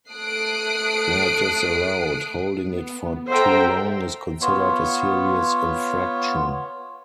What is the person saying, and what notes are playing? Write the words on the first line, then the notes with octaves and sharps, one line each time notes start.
Where it is allowed, holding it for too long is considered a serious infraction.
A3 D#6 F#6 C7 D7
B3
A4 C5 E5 F#5 G5 A#5
B3 F4 C#5